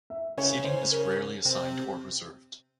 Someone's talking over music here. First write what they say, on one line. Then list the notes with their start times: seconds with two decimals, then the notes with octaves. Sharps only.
Seating is rarely assigned or reserved.
0.10 E5
0.37 C#3 C#4 C#5
0.64 C5
0.92 A#4
1.45 C3 C4